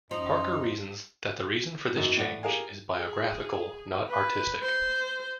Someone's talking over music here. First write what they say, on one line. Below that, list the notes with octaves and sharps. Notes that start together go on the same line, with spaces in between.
Parker reasons that the reason for this change is biographical, not artistic.
F#2 F3 D#4 C6
F#2 E3 F#3 A#3 D#4
A2 E3 D5 F#5 A6
G4 G#4 A#4 F5 G#5
G#4
B4
C5